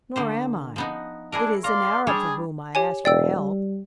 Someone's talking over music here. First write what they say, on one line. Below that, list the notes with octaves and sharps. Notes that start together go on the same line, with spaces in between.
"Nor am I. It is an Arab for whom I ask your help."
D3 A#3 C5
F3 B3 D#4
D4 E4 G#4 A#4
D5 F5 A#5 C6
G3 D4 G#4 C#5
G4 C#5 G#5
E1 D5 G5 E6
G3